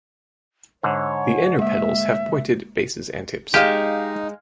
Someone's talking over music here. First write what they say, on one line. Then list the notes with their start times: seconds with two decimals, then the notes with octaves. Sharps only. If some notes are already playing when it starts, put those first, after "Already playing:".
The inner petals have pointed bases and tips.
0.83 G#2 D3 C#5
1.59 G#3 A#3 E5
3.54 G#3 D#4 G4 F5 F6